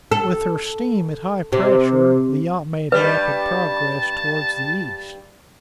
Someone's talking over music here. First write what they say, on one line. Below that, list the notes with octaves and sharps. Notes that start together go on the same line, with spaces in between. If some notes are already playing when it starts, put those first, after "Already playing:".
With her steam at high pressure, the yacht made rapid progress towards the east.
A4
C3
G2 G3 B4 A5